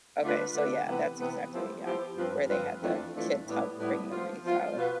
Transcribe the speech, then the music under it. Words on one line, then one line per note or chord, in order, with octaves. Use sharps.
Okay, so yeah, that's exactly yeah, where they had the kids help bring the wreath out.
D3 A3 D4 F4 B4
D3 A3 D4 F4 B4
C3 E3 B3
C3 E3 B3
F3 B3 E4 G4 C5
F3 B3 E4 G4 C5
G2 F3 C4 F4 B4
G2 F3 C4 F4 B4
F2 E3 A3 D4 F4
F2 E3 A3 D4 F4
A2 G3 B3 E4 B4
A2 G3 B3 E4 B4
F3 B3 F4
F3 B3 F4
B2 B3 F4 B4